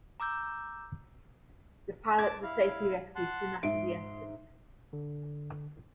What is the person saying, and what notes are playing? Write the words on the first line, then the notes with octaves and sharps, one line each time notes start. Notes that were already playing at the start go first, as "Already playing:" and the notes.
The pilot was safely rescued soon after the incident.
A#5 D6 E6 G6
A5 D6 G#6
E4 F5
F#5 A5 C6
G#2 E5 C6 D7
D3